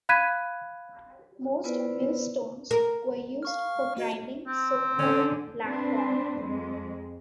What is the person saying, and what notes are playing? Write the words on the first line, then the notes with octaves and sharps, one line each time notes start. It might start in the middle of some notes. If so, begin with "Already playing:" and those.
Most millstones were used for grinding so called "black corn".
F5 B5 F#6 G#6 B6 D#7
B3 E4 F4 B4 C5 D5
A#4
F5 C#6 F6
A#3 F#4 D#5
C4
D3 C#4
C4 D4 B4 C5
F2 G#3